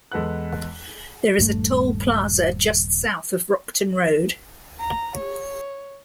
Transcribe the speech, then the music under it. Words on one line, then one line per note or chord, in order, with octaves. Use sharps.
There is a toll plaza just south of Rockton Road.
E2 G#3 A4 B4 F#5 F#6
D#1 G2 A3
A#5
C#5